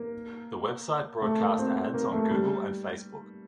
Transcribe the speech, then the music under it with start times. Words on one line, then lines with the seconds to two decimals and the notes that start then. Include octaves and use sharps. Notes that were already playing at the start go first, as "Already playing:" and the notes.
The website broadcast ads on Google and Facebook.
Already playing: A#3
1.22 A3
1.40 A#3
1.58 C4
1.76 C4
1.94 A#3
2.12 A3
2.31 G3